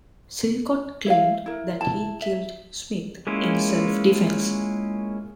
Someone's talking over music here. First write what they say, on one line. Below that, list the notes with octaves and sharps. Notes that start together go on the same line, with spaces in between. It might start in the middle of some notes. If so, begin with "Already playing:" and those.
Silcott claimed that he killed Smith in self defence.
E4 F5
E4 A#4
E4 A5
E5
G#3 A#3 C#4 E4 F4